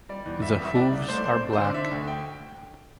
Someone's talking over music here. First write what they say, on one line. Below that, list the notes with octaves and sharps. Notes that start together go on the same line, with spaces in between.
The hooves are black.
G3 D5
E2
G3 E5
G3
E5
C2 D5
C2
A3 C5
D5
A3 C5
C4
D3 C5
D5
D3 E5
D2
G5